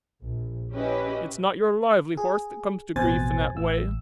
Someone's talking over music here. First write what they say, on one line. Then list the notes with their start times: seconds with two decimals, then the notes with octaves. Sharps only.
It's not your lively horse that comes to grief in that way.
0.22 A#1
0.72 C#4 E4 G4 B4 D#5
2.17 G#4
2.96 A1 F2 B2 C5 G#5 A6
3.56 A1 E6